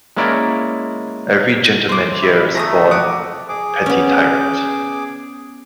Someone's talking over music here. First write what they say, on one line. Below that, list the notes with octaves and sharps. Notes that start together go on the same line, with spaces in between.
Every gentlemen here is born a petty tyrant.
G#3 A#3 C#4 E4 A#4 D5
C5 D6
E4
A3 A#5 B5 D#6
F#4 D6 D#6
G#4 D6
B3 C#4